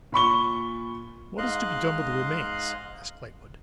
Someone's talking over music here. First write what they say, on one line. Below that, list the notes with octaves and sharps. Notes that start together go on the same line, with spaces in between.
'What is to be done with the remains?' asked Lightwood.
A#2 B5 C#6 G7
G#2 D#5 F5 C6 F#6